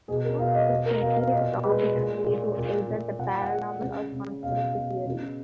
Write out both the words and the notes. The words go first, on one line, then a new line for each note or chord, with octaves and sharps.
Most frequently the topics relate to either the paranormal or conspiracy theories.
B2 G#4
A#4
B2 F5
D#5
B2
A#4
B2 F5
F5
A#2 D#5
G#3 B4
A#2
A#2
A#2
A#2
A#2 F#5
F#5
G#3
C#3
C#3
B2 F5
B2
C#3